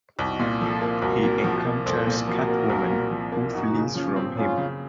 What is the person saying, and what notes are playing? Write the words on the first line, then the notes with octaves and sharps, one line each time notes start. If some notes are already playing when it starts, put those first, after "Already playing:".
He encounters Catwoman, who flees from him.
C2 D#4 F#4
A#2
F3 F4 A4
A#3
C2 F#4 A#4
A#2
F3
A#3
C2 A4 C5
A#2
F3 F#4 A#4
A#3
C2
A#2
F3
A#3
F#2 D#4 F#4
C#3
F3 C#4 F4
C4
F#2 C#4 F4
C#3